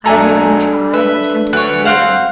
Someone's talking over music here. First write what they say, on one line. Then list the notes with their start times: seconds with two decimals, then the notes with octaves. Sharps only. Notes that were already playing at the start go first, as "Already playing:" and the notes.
I have never been tried or tempted severely.
0.06 B1 D4 A4 G#5 A#5
0.94 B4 E5
1.53 D2 B4 C#5
1.85 C4 F5 F#5